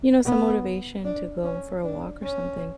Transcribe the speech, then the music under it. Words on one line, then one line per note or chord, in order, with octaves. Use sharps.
you know, some motivation to go for a walk or something.
B3
D4
C#4
D4
C#4